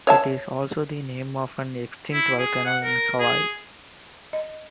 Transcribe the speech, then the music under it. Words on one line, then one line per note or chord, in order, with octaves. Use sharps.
It is also the name of an extinct volcano in Hawaii.
C#5 E5 A5
E4
G#4
F#5
A#4
G#4
D#5